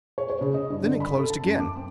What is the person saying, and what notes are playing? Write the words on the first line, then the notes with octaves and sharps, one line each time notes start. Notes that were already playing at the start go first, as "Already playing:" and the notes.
Then it closed again.
C#5
C#5
C#3
D#5
G2
D3
B5
A4
A5
F#2
D6
C4